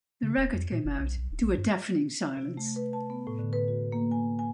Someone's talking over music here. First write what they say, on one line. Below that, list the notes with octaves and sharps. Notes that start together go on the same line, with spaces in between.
The record came out to a deafening silence.
C#3
D#1
F2
A#2
F#1
B1
B1
D1
A#1
G2
C3
A3
B4
A5
B3
A2
D3
B4
F#4
A#3
G#5
G#5